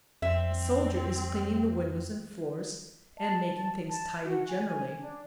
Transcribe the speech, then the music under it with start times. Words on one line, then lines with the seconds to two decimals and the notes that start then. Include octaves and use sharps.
A soldier is cleaning the windows and floors, and making things tidy generally.
0.22 F2 C4 E5
3.17 A5
3.89 A5
4.24 F#4
4.48 G#5
4.99 D4